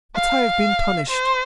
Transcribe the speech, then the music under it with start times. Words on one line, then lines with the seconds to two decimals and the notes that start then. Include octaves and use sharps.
"But I have been punished."
0.15 F5
1.09 C5